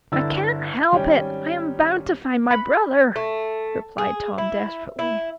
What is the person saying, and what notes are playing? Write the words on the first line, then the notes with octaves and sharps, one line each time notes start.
"I can't help it--I am bound to find my brother," replied Tom desperately.
G1 D3 E4 E6 A6
G#1 G3 C#4 G5
B5
A3
G#4
E4
E4